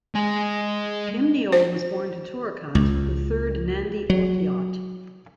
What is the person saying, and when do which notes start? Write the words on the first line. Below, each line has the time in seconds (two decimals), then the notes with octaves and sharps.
Kimnyole was born to Turukat, the third Nandi Orkoiyot.
0.15 G#3 G#5
1.52 C5
2.75 C#2
4.10 F#3